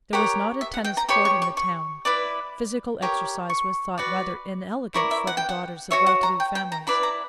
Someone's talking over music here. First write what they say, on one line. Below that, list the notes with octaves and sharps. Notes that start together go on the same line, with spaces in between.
There was not a tennis court in the town; physical exercise was thought rather inelegant for the daughters of well-to-do families.
G4 A#4 C#5 F#5
E5
F#5
G5
A#5
G4 C#5 B5
C#6
C#6
C#6
E4 B4 D5 D6
G4 A#4 C#5
C#6
F#4 B4 D5
E4 A#4 D5 C#6
E5
F#5
G5
F#5
F#4 C#5 E5
F#5
A#5
G5
G5
A#5
E4 B4 D5 B5
A#5